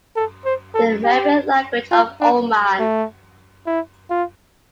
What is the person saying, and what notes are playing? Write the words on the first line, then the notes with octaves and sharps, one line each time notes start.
"The Mehri Language of Oman".
A4
C5
A4
G4
F4
D4
A3
E4
F4